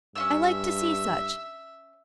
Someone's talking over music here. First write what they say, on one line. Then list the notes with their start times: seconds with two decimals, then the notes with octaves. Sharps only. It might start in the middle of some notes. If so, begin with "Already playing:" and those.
I like to see such.
0.15 G2 C#4 F4 E5 E6